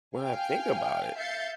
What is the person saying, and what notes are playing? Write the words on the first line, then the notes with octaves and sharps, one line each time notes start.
when I think about it.
F5 G5 G#5 F6
E5 F5 G6 A6 C7 C#7